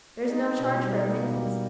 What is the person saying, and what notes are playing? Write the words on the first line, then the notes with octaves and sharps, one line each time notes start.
There's no charge for admittance.
G3
G#3 D#4
B3
B2
G3
F#3 D#4
G#3
A3 B3
B2 A#3
G3